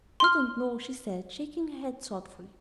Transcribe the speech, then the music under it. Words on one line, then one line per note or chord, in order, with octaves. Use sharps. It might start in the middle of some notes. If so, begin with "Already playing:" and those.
"I don't know," she said, shaking her head thoughtfully.
C6 F6